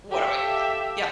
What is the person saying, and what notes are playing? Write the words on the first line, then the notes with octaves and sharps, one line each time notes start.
What do I say?" yeah.
G4 A4 E5 F5